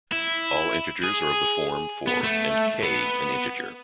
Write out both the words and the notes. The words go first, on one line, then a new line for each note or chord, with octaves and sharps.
All integers are of the form for and "k" an integer.
E4
G#4
B3
A3
B3